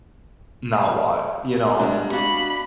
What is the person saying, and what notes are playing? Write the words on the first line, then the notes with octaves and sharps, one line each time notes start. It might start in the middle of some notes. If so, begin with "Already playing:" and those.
now what, you know
G3 G#3 D4
D4 F#4 F5 B5